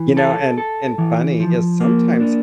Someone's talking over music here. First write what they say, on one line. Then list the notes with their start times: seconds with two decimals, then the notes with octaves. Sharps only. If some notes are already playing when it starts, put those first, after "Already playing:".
you know, and and funny is sometimes
Already playing: E3
0.17 A4
0.58 A4
0.98 E3
1.40 F3
1.80 A#3
2.20 D4